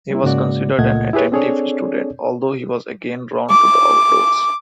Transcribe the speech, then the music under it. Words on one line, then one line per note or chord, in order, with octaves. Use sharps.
He was considered an attentive student, although he was again drawn to the outdoors.
G3 A#3 E4
G#2 C#3 G#3 A#3 F#4 D5
C#2 A#2 A3 D#5 F#5 G#6
E4 G4 G#4 B4 C#5
C4 D4 G#4 A4 C#5 D5
D6